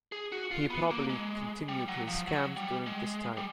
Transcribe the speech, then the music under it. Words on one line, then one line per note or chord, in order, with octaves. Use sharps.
He probably continued his scams during this time.
G#4
F#4
F4
B3
A#3
G#3
G3
F#3
F3
F#3
G3
G#3
G3